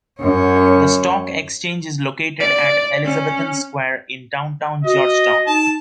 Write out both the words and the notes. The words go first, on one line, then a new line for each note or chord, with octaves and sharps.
The stock exchange is located at Elizabethan Square in downtown George Town.
F#2 C#5
D5
C#4
F#4 D#5
D#4 A5